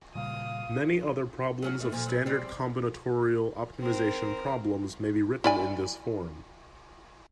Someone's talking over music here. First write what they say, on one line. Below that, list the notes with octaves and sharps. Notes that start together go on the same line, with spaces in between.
Many other problems of standard combinatorial optimization problems may be written in this form.
A#2 C#3 G3 F5 D#6
F#3 C#4 F#4
D#3 A3
A#2 F3
B2 F#3
G3 C4
C4 A#4
E4 D5 G#5